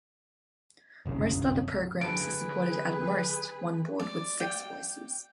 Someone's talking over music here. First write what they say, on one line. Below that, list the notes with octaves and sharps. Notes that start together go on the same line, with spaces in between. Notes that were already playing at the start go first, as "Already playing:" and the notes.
Most other programs supported at most one board with six voices.
G1 C2 F#2 C#3
D3 F#3 G#4 B4 A5 D7
D5
G5